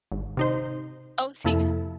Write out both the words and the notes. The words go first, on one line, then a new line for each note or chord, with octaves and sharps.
Oh, is he
G#1
C3 D#4 C5
F2 C3 A#3 E4 A4